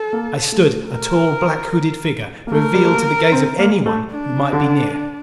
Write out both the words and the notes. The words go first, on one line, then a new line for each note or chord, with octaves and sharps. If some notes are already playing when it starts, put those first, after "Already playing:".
I stood, a tall, blackhooded figure, revealed to the gaze of anyone who might be near!
Already playing: A4
A#3
A3
A#4
A#3
A3 A#4
G3
A3
A#3
C4
A#3
A3
D4
D3